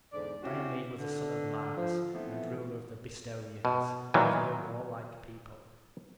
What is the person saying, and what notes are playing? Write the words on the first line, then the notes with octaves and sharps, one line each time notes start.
Diomede was a son of Mars and ruler of the Bistonians, a very warlike people.
E2 G#2 D3 D5
C4 C#4 E4 F#4 G4
D3
F3
E3 F3 A3 B3 C4
B2
A#2 D#3 E3 F#3